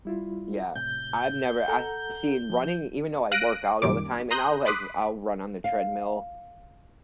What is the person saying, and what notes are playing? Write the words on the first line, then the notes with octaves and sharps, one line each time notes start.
Yeah, I've never I've seen running even though I work out all the time, and I'll, like, I'll run on the treadmill,
G3 E4 F4
A2 C3 G6
A4 F#5 A#5
F3
F5 F#6 A#6 D7 D#7
C2 F#2 A#2 D#3 G3 D6
A#5 C6 D#6 F#6 G6 A#6
B5 C6 D6 D#6 F#6 B6
F5